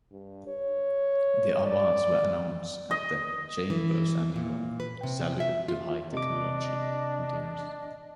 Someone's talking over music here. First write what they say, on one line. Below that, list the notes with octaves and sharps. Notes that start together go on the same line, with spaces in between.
The awards were announced at the Chamber's annual "Salute to High Technology" dinners.
G2
C#5
D5
D#5
E3
A#2
B4
C3
E5
F4
C3 D4 D#5 D6